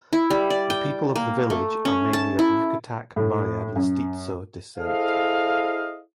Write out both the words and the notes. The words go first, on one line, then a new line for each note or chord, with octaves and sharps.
The people of the village are mainly of Yucatec Maya Mestizo Descent.
E4
G3
D5
G5
A#3
A3
C#4
A5
E4
A2
F#2
E4 G#4 A4 C5 D#5 F5